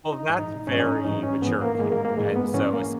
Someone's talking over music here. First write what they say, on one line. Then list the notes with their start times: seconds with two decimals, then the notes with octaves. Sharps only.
Well, that's very mature of you, and so, es
0.12 D#4
0.30 G#2 E3 D#4
0.67 G#2 E3 C#4
0.80 C#4
0.86 D#4
1.05 G#2 E3 D#4
1.23 C#4
1.42 G#2 E3 B3
1.61 A#3
1.75 A#3
1.79 G#2 E3 G#3
1.92 A#3
2.05 A#3
2.17 G#2 E3 G#3
2.36 B3
2.54 G#2 E3 C#4
2.73 A#3